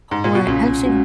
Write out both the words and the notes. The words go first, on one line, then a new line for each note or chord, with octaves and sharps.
or actually
G#2
A#2
B2
B1 A#2 C#3
G#3 C#4 F#4